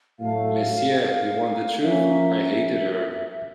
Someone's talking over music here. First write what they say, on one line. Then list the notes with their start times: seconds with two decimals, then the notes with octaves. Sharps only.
Monsieur, you want the truth — I hated her!
0.20 A2 F#3 A3 F5
1.01 F5
1.82 F3 A#3 C#4 E5